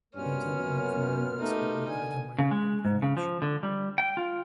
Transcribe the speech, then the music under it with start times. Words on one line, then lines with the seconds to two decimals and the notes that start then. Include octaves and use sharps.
He attended North Miami High School, and later Miami Dade College.
0.15 G2 B2 A#3 B3 C#4 F4 F6
0.57 F#2
1.40 A3 D#4 G4
1.88 D3 G#5
2.38 C#3
2.51 G#3
2.85 G#2
3.02 C#3
3.17 F3
3.42 D3
3.63 G3
3.98 G5
4.17 F4